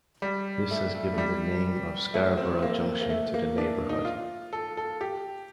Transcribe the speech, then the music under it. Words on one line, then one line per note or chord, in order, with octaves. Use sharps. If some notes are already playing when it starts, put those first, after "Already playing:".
This has given the name of Scarborough Junction to the neighbourhood.
G3
A3
A3
A3
G3
A3
C4
A#3
A#3
A3
A#3
D4
D#4
F4
A4
A4
G4